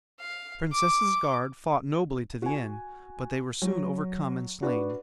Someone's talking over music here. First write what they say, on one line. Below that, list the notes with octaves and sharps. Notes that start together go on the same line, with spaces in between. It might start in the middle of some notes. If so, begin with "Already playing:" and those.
The Princess's guard fought nobly to the end, but they were soon overcome and slain.
F5
D6
F#4 G#5
F#3
D4 F#4 B4 D5